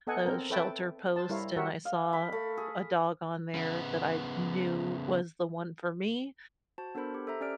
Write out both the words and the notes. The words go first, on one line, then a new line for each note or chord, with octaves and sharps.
a shelter post, and I saw w a dog on there that I knew was the one for me.
B3 A4 D#5 F#5 G#5
C4 A#4
A4 B4 C#5 E5 G5 A5
C5 A5
G3 E4 A#4 C#5 F5
F#4 G4 A#4 C#5 E5 F#5
F5
B5
A3
G#4
C#3 B3
F#4 C5 A5
B3 D4 A4 A#4 C5 B5
G4
A4 C5 E5 A#5
C#4 G4 D5 F6 D7